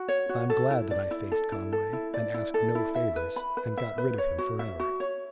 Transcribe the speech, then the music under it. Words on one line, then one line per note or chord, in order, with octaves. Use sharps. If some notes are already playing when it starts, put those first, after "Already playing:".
I am glad that I faced Conway, and asked no favors, and got rid of him forever.
Already playing: F#4
C#5
F#4
A4
E4
D5
E4
A4
E4
A4
E4
D5
E4
A4
E4
E5
B4
B5
B4
E5
B4
C#5
F#4
E5
F#4
C#5